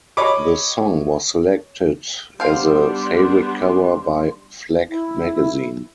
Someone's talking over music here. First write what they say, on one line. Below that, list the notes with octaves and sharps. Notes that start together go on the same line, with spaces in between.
The song was selected as a favourite cover by Flak Magazine.
C#5 D#5 B5 D6
G3 B3 D4 C5 F5 C6
E4